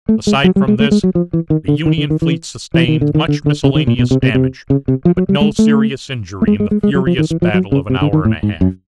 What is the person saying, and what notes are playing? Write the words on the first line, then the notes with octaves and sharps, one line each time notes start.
Aside from this, the Union fleet sustained much miscellaneous damage, but no serious injury in the furious battle of an hour and a half.
A3
G#3
F#3
G3
G#3
A3
G#3
F#3
F3
E3
D#3
D3
D#3
D3
D#3
E3
E3
D#3
D3
D#3
D3
D3
C#3
D#3
A#2
B2
C3
C3
C3
C#3
C3
F3
F#3
G3
G#3
A3
A3
G#3
G#3
G#3
G#3
F#3
F3
D#3
E3
F3
F#3
C#3
C3
D3
D#3
A2
G#2
F#2